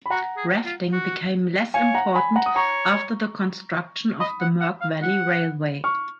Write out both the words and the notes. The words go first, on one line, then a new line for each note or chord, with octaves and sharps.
Rafting became less important after the construction of the Murg Valley Railway.
B5
F#4 F#5 A#5
G#4
F4
F#4
C#5 F5 G#5
F#5 A#5
G#5 B5
F#5 A#5
D#6
C#5 A#5 C#6
D#5 B5 D#6
F#5
F#5
F5
F#5
C#6 F6